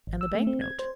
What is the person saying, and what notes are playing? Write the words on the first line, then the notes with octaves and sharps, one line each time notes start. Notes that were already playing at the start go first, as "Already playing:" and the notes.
"And the bank-note?"
G#1
E6
A3
C4
G#6
C5